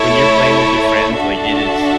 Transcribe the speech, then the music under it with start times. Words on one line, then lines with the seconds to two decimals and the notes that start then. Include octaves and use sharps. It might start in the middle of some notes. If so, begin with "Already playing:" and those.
when you're playing with your friends, like, it is
Already playing: A3 E4 A4 C#5
1.20 D4 F#4 A4 E5 A5